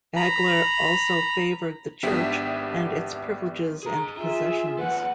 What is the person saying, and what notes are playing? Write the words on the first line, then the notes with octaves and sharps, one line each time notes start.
Bagler also favoured the church and its privileges and possessions.
A#5 B5
G#1 B3 D4 G4 E5 B6
G#4 A#5
F4 G#4 E5
D#2 B4 F#5